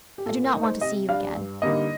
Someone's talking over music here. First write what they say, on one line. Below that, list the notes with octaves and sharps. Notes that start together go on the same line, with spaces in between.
I do not want to see you again.
G4
A#2 A4
A#4
A3 D#4
C5
C3 D#5
G3 D4 F5
G2
D3 G3 A#3 D#4 D#5